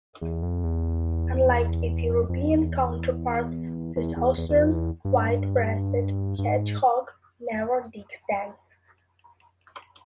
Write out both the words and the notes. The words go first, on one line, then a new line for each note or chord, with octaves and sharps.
Unlike its European counterpart, the Southern white-breasted hedgehog never digs dens.
E2
F2
E2
F2
F2
E2
E2
E2
E2
E2
F2
E2
G2
G2
G#2